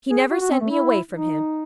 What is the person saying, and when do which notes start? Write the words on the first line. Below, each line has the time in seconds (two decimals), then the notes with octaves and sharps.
He never sent me away from him.
0.10 G#4
0.31 F#4
0.41 F#4
0.51 C4
0.61 A3
0.71 E4
1.11 D#4